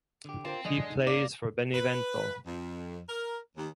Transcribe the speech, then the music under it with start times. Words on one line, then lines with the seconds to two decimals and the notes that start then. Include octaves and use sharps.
He plays for Benevento.
0.25 D3 G4
0.45 C4 F4 A#4 C5
0.65 D3 F3 G#3 D5 D#5
0.90 D#4
1.07 A#3 D5
1.75 B4
2.47 F2
3.09 A#4
3.57 D#2